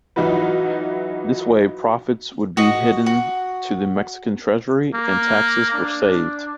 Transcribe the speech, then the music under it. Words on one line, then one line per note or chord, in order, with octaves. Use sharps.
This way profits would be hidden to the Mexican treasury, and taxes were saved.
E3 F#3 D#4 F4 F#4 B4
F#4 D#5
F#4
A#3
D4